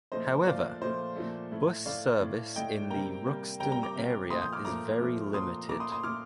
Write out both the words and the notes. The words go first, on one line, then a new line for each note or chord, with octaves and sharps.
However, bus service in the Ruxton area is very limited.
A#2 F3 A3 C5 D#5
A#2 F3 A3 D5 F5
A#2 F3 A3 C5 D#5
A#2 F3 A3
A2 A3
A2 A3 D5 F5
A2 A3
A2 A3 D#5 G5
C3 G3 A#3 G5 A#5
C3 G3 A#3
C3 G3 A#3 G5 A#5
G5 A#5
A#5 D6
C3 G3 A#3
A#2 F3 A3 C6 D#6
D#6 G6
D6 F6
A#2 F3 A3 A#5 D6
A#2 F3 A3
A#2 F3 A3 C6 D#6
A#2 A3 A#5 D6
C6 D#6
C6 D#6
A#2 A3 D6 F6